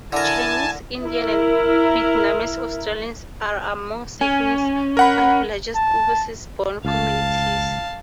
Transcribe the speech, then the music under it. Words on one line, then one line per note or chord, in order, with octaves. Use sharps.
Chinese, Indian and Vietnamese-Australians are among Sydney's five largest overseas-born communities.
D3 E4 A#4 G#5 A5
E4 A#4
C#4 G#5
A#4 F#5 B5
A5
C#2 F5 A5